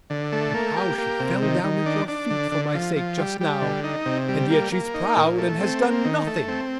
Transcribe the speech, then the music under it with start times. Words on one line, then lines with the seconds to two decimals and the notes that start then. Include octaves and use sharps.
And how she fell down at your feet for my sake, just now!... and yet she's proud and has done nothing!
0.10 D3
0.32 A3
0.54 A#3
0.76 G4
0.98 A#3
1.20 C3
1.42 D#3
1.64 D#3
1.86 D4
2.08 D4
2.30 D3
2.52 D3
2.75 F3
2.96 F3
3.18 G3
3.41 G3
3.62 D3
3.84 D#4
4.06 C3
4.29 G3
4.51 A#3
4.72 A#3
4.94 D#4
5.16 A#2
5.38 A3
5.61 C4
5.82 A#3
6.05 D#3
6.27 A3
6.48 C4